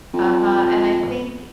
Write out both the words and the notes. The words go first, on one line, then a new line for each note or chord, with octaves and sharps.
Uh-huh, and I think
F2